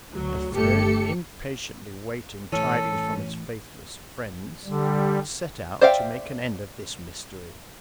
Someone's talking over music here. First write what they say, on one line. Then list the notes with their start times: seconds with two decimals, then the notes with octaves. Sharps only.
The third, impatiently waiting tidings from his faithless friends, set out to make an end of this mystery.
0.13 D2 F#3
0.55 G1 A3 G4 A4 C#7
2.52 A2 E3 C#4 A4
4.65 D3 G3
5.81 C5 D5 E5 F5 G5